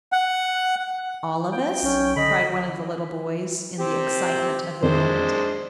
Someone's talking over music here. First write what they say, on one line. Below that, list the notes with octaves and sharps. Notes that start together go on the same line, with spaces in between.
"All of us?" cried one of the little boys, in the excitement of the moment.
F#5
G5
B1 C#4
D3 D#5 B5
C4 G4
F2 D#3 G#3 D4 C5